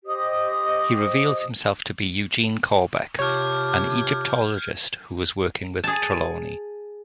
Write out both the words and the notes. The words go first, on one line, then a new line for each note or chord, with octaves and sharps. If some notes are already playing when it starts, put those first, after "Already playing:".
He reveals himself to be Eugene Corbeck, an Egyptologist who was working with Trelawny.
G4 C5 D#5 D#6
C3 F4 C#5 A5 D6 F6 G6 G#6
G#4 A5